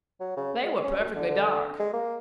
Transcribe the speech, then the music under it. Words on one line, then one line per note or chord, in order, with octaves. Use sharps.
They were perfectly dark.
F#3
C#3
G#3
C#4
F#2
D3
D3
G#3
A#3